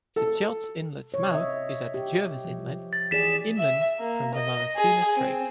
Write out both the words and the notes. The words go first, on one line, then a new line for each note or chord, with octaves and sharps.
Sechelt Inlet's mouth is at Jervis Inlet, inland from the Malaspina Strait.
A4
C3 C#5
D#5 E5
G4
F3
A6
E3 G#4 D5 B6 E7
E5
A#3
D#5
G#4
C4